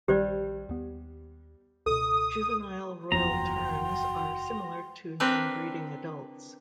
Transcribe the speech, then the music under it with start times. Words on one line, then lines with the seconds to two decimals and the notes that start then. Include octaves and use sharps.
Juvenile royal terns are similar to non-breeding adults.
0.08 A#1 D#3 G3 G4 C5 D5
0.69 D#2 B3
1.86 C#2 B2 A4 D#6
3.12 F#1 E2 F3 F#4 F#5 G5 A#5 C6
5.20 C4 D4 A#4 B4